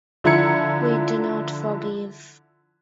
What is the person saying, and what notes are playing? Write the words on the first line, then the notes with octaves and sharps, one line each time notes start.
We do not forgive.
D3 F3 E4 A#5 G#6 C#7